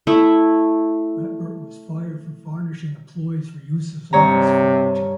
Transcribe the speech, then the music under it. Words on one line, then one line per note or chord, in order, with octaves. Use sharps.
Ratbert was fired for varnishing employees for use as office furniture.
A3 E4 E5
G2 C3 C#5 A#5